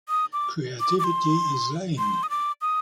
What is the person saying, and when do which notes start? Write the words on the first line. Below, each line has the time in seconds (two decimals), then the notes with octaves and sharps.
Creativity is lying.
0.09 D#6
0.33 D6
0.80 D6
0.99 D6
1.04 C6
1.98 C6
2.23 D#6
2.30 D6
2.61 D#6